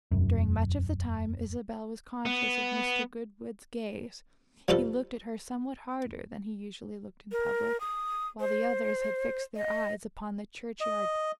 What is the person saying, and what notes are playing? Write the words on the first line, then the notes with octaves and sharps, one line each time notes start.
During much of the time Isabel was conscious of Mr. Goodwood's gaze; he looked at her somewhat harder than he usually looked in public, while the others had fixed their eyes upon the churchyard turf.
E1 F#2
B3
F3 G3 C4 F4 A4
A#4
D#6
C5
D#5
D#5